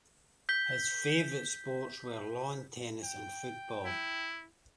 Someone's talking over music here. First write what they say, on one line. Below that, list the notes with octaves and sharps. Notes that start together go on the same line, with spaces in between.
His favourite sports were lawn tennis and football.
G6 B6 G7
G5
E4